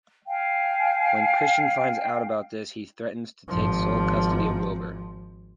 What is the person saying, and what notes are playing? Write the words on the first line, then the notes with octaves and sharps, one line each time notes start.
When Christian finds out about this, he threatens to take sole custody of Wilber.
F5 G5 G#5
G#1 F3